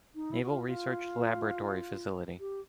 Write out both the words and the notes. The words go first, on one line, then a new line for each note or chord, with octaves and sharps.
Naval Research Laboratory facility.
D#4
E4
F#4
F4
F4
G4